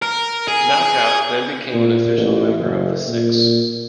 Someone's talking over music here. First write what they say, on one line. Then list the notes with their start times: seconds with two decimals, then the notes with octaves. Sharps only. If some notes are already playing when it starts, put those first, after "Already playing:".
Knockout then became an official member of the Six.
0.02 A#4
0.48 G#4
1.74 A#2
2.17 A1
2.58 F#1
3.08 A#2